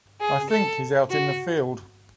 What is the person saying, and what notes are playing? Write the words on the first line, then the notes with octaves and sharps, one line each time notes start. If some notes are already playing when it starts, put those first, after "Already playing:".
I think he's out in the field.
G#4
A4
F#4